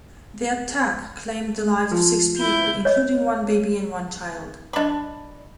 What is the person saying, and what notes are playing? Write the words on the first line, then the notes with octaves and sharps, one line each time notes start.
The attack claimed the lives of six people, including one baby and one child.
F3
E4 G6
C#5 D#5
D4 D#5 B5 D6